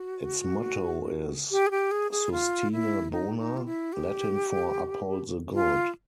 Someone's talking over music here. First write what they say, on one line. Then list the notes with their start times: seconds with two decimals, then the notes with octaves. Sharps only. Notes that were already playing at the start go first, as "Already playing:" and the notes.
Its motto is "Sustine Bona", Latin for "Uphold the Good".
Already playing: F#4
1.51 G4
1.67 G#4
1.71 G4
1.91 G#4
2.11 G#4
2.32 F4
2.72 E4
3.11 D#4
3.38 D#4
3.57 F4
3.65 E4
3.93 G4
5.54 F4